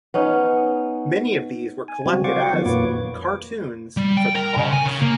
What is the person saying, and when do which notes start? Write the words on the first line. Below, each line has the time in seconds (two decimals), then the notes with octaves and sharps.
Many of these were collected as "Cartoons for the Cause".
0.14 B3 C#4 D#4
1.88 G#5
2.06 C#3 F#3 G3 C4 F#4
2.24 C5 D5 F5 F#5 C#6 D6
2.53 D#3 F3 F#3 B3
2.66 F2 A#2 A#3 B4 C#5 D6
3.97 G3
4.17 G5
4.35 A#4
4.57 C#3
4.73 G#5
4.86 C#3
5.01 A#3